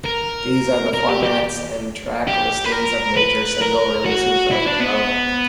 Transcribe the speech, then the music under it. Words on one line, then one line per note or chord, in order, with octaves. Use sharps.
These are the formats and track listings of major single-releases of "Low".
A#4
A#4
G4
G4
G4
B4
A#4
B4
A#4
F#4
E4
D4
B3